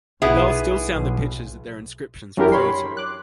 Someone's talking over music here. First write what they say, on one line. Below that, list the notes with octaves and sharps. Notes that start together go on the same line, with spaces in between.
The bells still sound the pitches that their inscriptions refer to.
B1 B3 E4 G#4
B1
F#2 E3 C#4 D4 G4 A#4
C#5 B5 C6
D6 F#6